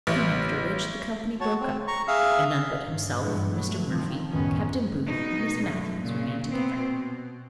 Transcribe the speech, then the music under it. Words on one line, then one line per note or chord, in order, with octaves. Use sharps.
Soon after which, the company broke up, and none but himself, Mr. Murphy, Captain Booth, and Miss Matthews, remained together.
A1
F#4 C#5 A5
C4
A#5 C#6
G#4 E5 F5
G2
G2 A#2 E3 G#3 B3
B2 F#3 A3
D#3 F3 C4
C#2 F#2 A2 D#3 B3 C#4
B2 D#4
F#2 A3
A#2 C#3
B3 C4
B2